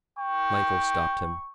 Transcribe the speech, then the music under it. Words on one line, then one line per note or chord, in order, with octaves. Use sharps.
Michael stopped him.
G5 C#6